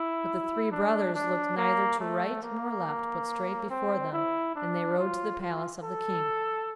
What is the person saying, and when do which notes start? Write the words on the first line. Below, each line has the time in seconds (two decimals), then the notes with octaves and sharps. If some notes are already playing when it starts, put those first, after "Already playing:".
But the three brothers looked neither to right nor left but straight before them, and they rode to the palace of the King.
Already playing: E4
0.71 D4
1.14 D4
1.56 A#3
1.99 A3
2.42 A#3
3.70 C4
4.12 E4
4.55 D4
4.98 F4
5.41 F4
5.83 A4